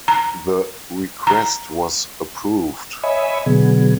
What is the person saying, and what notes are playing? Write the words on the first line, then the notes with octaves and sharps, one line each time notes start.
The request was approved.
A#5
A#5
C#5 D#5 E5 G#5 B5
B2 D3 F#3 B3 G#4